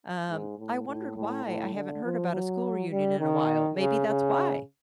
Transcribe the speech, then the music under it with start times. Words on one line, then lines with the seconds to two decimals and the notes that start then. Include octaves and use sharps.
um, I wondered why I haven't heard about a school reunion in a while. Maybe that's why.
0.30 G#2
0.59 A2
0.87 A2
1.16 A2
1.45 A2
1.74 D3
2.04 F3
2.33 F#3
2.91 G3
3.20 D#3
3.77 C#3
4.08 C#3